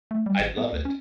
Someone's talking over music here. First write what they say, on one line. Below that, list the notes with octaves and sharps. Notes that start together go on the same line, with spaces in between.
I'd love it.
A3
G3
G#1
B3
D2
C#4